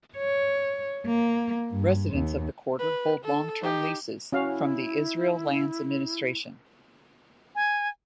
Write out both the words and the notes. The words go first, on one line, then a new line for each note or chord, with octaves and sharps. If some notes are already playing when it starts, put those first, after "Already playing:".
Residents of the quarter hold long-term leases from the Israel Lands Administration.
C#5
A#3
G2
D#2
B4
A4
D#4 G4
C#4 E4 F#4 F5
G#5